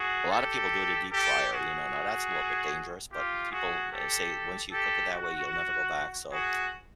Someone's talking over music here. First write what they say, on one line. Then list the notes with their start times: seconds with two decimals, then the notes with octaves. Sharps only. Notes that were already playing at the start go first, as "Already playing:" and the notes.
A lot of people do it in a deep fryer, you know? Now that's a little bit dangerous, but people, eh, say once you cook it that way, you'll never go back, so,
Already playing: F#4 G#4
0.32 G4 A4
1.12 G4 A4
1.51 F#4 G#4
3.11 F4 G4
3.51 F#4 G#4
3.91 G4 A4
4.72 G4 A4
5.12 F#4
6.32 F#4 G#4